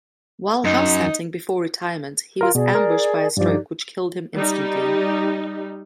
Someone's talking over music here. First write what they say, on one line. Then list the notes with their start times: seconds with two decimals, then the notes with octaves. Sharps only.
While house-hunting before retirement he was 'ambushed by a stroke which killed him instantly'.
0.65 F#2 D#4
2.41 F4 A#4
2.55 B2 G#4 D5
2.75 A#4
3.37 G2 F3 D#4 G4 D5
4.36 G3 D#4